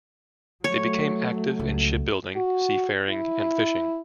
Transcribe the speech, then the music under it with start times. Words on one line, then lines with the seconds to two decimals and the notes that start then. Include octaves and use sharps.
They became active in shipbuilding, seafaring and fishing.
0.64 F#3 A3 C#5
1.59 C#2
2.36 F#4
3.10 E4